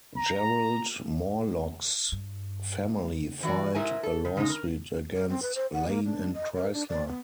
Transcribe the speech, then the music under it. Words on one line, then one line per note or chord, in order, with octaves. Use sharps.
Gerald Morelock's family filed a lawsuit against Lane and Chrysler.
A#5
G2
E3 F#4 D5
G#2 E4 A#4 G#5
A4
C#3
C#3 G#3 D#4
A#4
A#4
C4
B4
C5
F#5
A#3
D4
D#5
A#4
D4
D5
B3